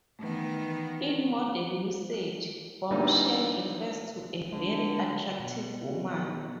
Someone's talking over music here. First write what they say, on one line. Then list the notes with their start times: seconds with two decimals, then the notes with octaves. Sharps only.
In modern usage, bombshell refers to a very attractive woman.
0.19 D#3 E3 A3 B3
2.91 A#2 D3 E3 G3 D#4
4.52 D3 G#3
5.40 B2